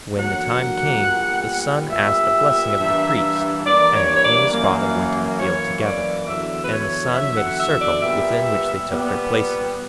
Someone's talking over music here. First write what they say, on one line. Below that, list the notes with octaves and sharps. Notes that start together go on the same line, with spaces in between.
When the time came, the son asked a blessing of the Priest, and he and his father went to the field together; and the son made a circle within which they took their places.
E2 D3 F#3 A#3 F#5
A#2 G3 B3
A#2 G3 B3 E5
G2 E3 A#3
G2 E3 A#3 D5
C#5
C#5
D5
F#2 E3 A#3
F#2 E3 A#3 C#5
D5
E2 D3 F#3 E5
B4
C#5
E2 D3 F#3 E5
F#5
E5
D5
A#2 G3 B3 E5
A#2 G3 B3